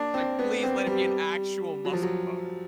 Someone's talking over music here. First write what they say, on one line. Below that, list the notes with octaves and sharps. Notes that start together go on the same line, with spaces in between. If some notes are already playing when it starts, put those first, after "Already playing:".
Like, "Please let it be an actual muscle car."
Already playing: A#3 D4
C4
B3
C4
G3
F#3
F3
F#3